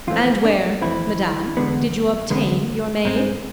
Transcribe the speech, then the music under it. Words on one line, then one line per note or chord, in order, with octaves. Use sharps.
"And where, madame, did you obtain your maid?"
F2 E3 A3 C4 F4
D4
F2 E3 A3 C4 E4
E2 D3 G#3 B3
E2 D3 G#3 B3
G#2 G#3 C4